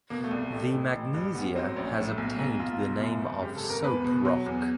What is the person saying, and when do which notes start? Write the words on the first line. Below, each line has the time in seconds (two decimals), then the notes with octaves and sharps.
The magnesia has obtained the name of soap-rock.
0.10 B2 A#3
0.24 A3
0.31 C2
0.52 A1 A3
0.73 A1
0.94 A1
1.14 G2
1.35 A#1 B3
1.55 F#3 C4
1.76 A#1 C#4
1.98 A2
2.18 B1
2.39 B1
2.59 B1 F4
2.80 B2
3.01 F#2
3.22 G#1
3.42 C#3 G4
3.56 A4
3.63 G#1
3.70 A#4
3.84 E2 B4
4.04 B2
4.25 F#3
4.46 E2